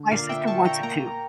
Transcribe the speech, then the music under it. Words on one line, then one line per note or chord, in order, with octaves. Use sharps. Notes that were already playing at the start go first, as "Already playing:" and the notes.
My sister wants it too.
Already playing: D3
A#2 D5 F5
E5 G5
A#2 A5 C#6
G5 A#5
C#6
A#3 G5 A#5